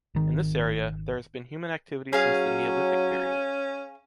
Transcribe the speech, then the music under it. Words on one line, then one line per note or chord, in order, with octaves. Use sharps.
In this area, there has been human activity since the Neolithic period.
G#1 D#3
F#3 C#4 G#4 F5